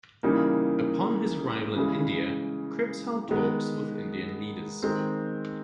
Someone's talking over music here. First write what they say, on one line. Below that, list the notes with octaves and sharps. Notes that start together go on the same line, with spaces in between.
Upon his arrival in India, Cripps held talks with Indian leaders.
C#3 E3 G3 A#3 D#4
C#3 E3 G#3
D#3 G#3 B3
D#3 G#3 C4